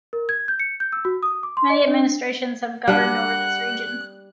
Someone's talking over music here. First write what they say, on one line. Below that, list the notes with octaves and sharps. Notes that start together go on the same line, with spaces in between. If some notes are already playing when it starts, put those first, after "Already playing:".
Many administrations have governed over this region.
A#4
G#6
G6
C#7
G6
E6
F#4
D#6
D6
C6
D#5
D4
G3 D4 F#5 F#6